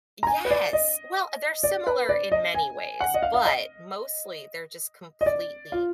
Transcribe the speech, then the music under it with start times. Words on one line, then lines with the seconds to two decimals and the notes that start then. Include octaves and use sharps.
Yes! Well, they're similar in many ways, but mostly they're just completely
0.23 A#5
0.27 G#5
0.45 B4
0.51 D5
0.73 D#5
1.64 D5
1.87 B4
2.09 D5
2.32 D#5
2.55 G#5
3.00 F#5
3.14 D#5
3.23 F5
3.34 F5
3.46 D#5
5.21 D#5
5.26 D5
5.72 F4